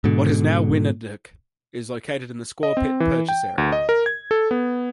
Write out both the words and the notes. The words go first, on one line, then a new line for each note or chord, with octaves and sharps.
What is now Wyandanch is located in the Squaw Pit Purchase area.
G#2 B2 D3
D#5
C4
E3
G5
D2
D#5
A#4
G#6
A4
B3